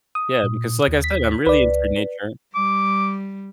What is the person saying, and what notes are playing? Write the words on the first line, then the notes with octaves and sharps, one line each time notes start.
Yeah, because like, I said, I'm really into nature.
D#6
A#2
D#2
B6
C#2 B4 D5
G3 D6